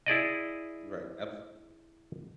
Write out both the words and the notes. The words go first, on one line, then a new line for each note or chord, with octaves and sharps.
Right, absolutely.
E4 G#4 D5 D#5